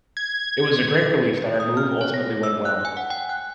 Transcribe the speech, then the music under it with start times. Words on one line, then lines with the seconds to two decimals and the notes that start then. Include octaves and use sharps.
It was a great relief that our move ultimately went well.
0.17 G#6
1.60 D#6
1.77 F6
2.01 C#5
2.14 A#6
2.43 E6
2.65 F#6
2.85 G#5
2.97 F#5
3.10 G5
3.29 F#6